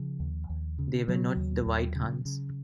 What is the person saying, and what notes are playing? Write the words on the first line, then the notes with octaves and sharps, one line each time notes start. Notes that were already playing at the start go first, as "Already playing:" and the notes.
They were not the White Huns.
Already playing: C#3 F3
D#2
D#2
C#3
C#3 F#3
D#2
D#2
C#3
C#3